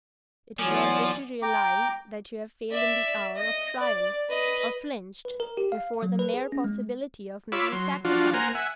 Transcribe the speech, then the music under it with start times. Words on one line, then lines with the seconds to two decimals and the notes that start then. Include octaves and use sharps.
It is not good to realise that you have failed in the hour of trial or flinched before the mere possibility of making sacrifices.
0.59 E2 F3 F#3 D5 G#5
1.42 G5 A#5 D6
2.71 D5 E5
3.36 D#5
3.79 D5
4.29 B4 D#5
5.25 B4
5.40 A#4
5.57 G4
5.72 F5
6.02 F#3
6.19 B4
6.34 G#4
6.52 C#4
6.64 G#3
7.52 F4 C#5 B5 D6 E6
7.72 F#3 C6
8.05 F3 D4 F4 F#4
8.34 A#3 C5 F#5 G#5 A#5
8.55 E5 F#5 G#5